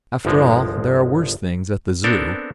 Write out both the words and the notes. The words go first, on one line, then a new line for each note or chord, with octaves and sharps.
After all, there are worse things at the Zoo.'
G1 C2 F3 G#3
B3 C4 D4 A4 A#4